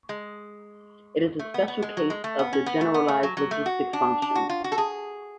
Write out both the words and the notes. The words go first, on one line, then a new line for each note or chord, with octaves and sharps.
It is a special case of the generalised logistic function.
G#3
A3
B3
B3
G#3
F#3
G#3
A3
B3
C#4
B3
A3
B3
A3
F#3
F#3
A3
F#4
D4
D4
F#4
F4
F#4
A4
G#4